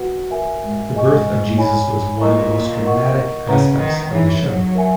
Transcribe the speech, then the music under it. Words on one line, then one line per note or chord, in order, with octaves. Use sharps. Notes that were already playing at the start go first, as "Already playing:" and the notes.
The birth of Jesus was one of the most dramatic aspects of the show.
Already playing: F#4 B4 F#5
A#4 E5 G#5
G#2
G#2 G#4 D#5 G#5 C#6
C#5 G#5 B5
A#2 A#4 D#5 A#5 C#6
A#4 D#5 F#5 C#6
C#3 B4 F#5 A#5
D#3
E3 D#4 G#4 C#5
F#3
A#4 E5 G#5